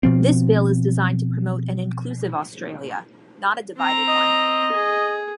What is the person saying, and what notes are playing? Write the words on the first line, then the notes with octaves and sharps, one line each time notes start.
This bill is designed to promote an inclusive Australia, not a divided one.
B2 F3 C4
C4 A#5
D#5
G#4